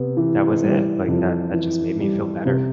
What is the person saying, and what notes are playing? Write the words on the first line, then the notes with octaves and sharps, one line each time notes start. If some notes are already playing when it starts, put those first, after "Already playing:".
that was it, like, that that just made me feel better.
Already playing: C3 B3
E3
G3
F2
E3
G3
C3